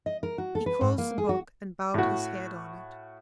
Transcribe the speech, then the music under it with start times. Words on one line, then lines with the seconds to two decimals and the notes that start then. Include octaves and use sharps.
He closed the book and bowed his head on it.
0.06 D#5
0.23 A#4
0.38 F#4
0.55 A4
0.66 B4
0.81 G#2
0.98 A#3
1.18 G#4
1.29 F#4
1.94 A2 F#4